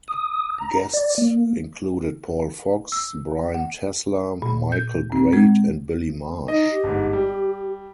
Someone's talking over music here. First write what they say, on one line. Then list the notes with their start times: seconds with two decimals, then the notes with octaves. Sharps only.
Guests included Paul Fox, Brian Tesler, Michael Grade and Billy Marsh.
0.08 D#6
0.58 A#5
0.93 D5
1.18 A#3
2.92 E6
3.54 F#5
4.42 A#2
4.72 G6
5.12 C4
5.33 G#3
6.48 D#4 D#5
6.71 G4
6.84 G1 G#2
7.13 G3